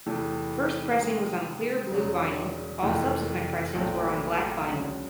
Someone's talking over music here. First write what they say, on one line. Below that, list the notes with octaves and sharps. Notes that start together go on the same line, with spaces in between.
First pressing was on clear blue vinyl; all subsequent pressings were on black vinyl.
E2 C3 E3 A3
C3 D#3 G#3 B3
E1 E2 C#3 F#3
F2 C3 E3 A3
A#1 A2 F#3 A3 C4
C#2 C#3 F#3